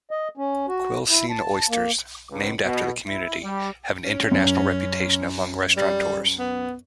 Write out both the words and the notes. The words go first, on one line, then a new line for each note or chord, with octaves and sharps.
Quilcene oysters, named after the community, have an international reputation among restaurateurs.
D#5
C#4
F#4
E4
A5
A#3
C#2
B2
E4
G3
C#4
F#2
G3
B3